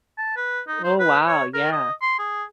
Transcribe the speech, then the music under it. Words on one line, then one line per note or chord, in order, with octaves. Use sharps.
Oh, wow, yeah.
A5
B4
D#4
C5
B4
C#5
A#4
D#5
C6
G#4